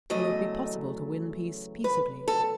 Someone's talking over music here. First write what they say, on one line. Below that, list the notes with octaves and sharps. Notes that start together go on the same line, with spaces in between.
Will it be possible to win peace peaceably?
E2 C#3 F#3 A3 D#5
B4
A4